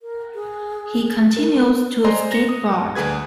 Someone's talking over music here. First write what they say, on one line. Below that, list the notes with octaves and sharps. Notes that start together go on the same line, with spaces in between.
He continues to skateboard.
A#4
G#4
A#4
C5 D5 D#5 G#5 A#5 C6
A#6 C#7
D#6
D2 D3 G#4 B4 G#6